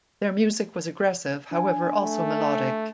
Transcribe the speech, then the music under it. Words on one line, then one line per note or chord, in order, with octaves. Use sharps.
Their music was aggressive however also melodic.
D4 G#5
A3